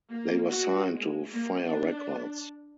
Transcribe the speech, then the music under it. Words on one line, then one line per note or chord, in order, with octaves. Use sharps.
They were signed to Fire Records.
A#3
F#4
G#3
A#3
D4